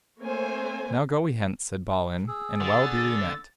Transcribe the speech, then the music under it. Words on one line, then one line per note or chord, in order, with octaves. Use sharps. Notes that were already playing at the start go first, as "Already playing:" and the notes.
Now go we hence, said Balin, and well be we met.
A3 A#3 C4 C5 C#5 G#5
G#4 E6
D3 A6